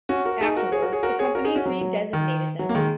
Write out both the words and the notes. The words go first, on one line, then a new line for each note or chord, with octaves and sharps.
Afterwards, the company redesignated them.
C#4 F#4
F#4 A#4
D#4 G#4
F#4 A#4
G#4 C#5
F#4 A#4
G#4 C#5
F#4 A#4
G#4 C#5
F#4 A#4
D#4 G#4
C#4 F#4
F#3
F#3
D#3
F#3
A#3
D#3 G#3